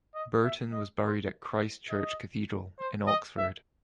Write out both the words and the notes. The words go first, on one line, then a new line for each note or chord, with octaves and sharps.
Burton was buried at Christ Church Cathedral in Oxford.
D#5
E5
D#5
C5
D#5
C5
D#5
E5